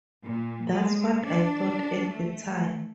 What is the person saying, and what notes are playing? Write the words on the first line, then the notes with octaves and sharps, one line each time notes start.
That's what I thought at the time.
A#2
G#3
D4
A3